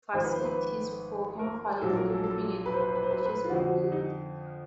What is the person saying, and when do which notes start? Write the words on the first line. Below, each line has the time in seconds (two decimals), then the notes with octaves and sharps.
Facilities for campfire and camping, and bridges were built.
0.14 G#1 G#2 F3 C5
0.24 B4
0.35 C5
0.45 B4
1.39 A#4
1.82 A#1 A#2 F#3 A4
1.96 A#4
2.10 A4
2.24 A4
2.66 B4
2.73 C5
2.80 B4
2.88 C5
2.95 B4
3.03 C5
3.11 B4
3.18 C5
3.26 B4
3.44 F4
3.50 F2 D3 F3 F#4
3.92 D#4